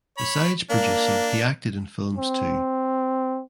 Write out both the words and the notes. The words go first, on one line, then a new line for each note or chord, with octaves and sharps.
Besides producing he acted in films too.
C#5 B5
A#3 D4
C4